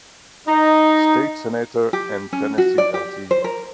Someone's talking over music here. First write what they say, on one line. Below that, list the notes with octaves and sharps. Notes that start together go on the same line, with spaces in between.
State Senator and Tennessee Lt.
D#4
G4
C#4
F#4
D5
G4
C5
A#4